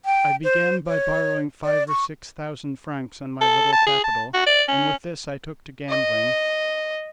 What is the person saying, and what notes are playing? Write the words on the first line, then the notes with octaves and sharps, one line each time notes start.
I began by borrowing five or six thousand francs on my little capital, and with this I took to gambling.
G5
C5
C#5
D5
C#6
A4
A5
G#4
A5
F#4
D5
C#4
D#5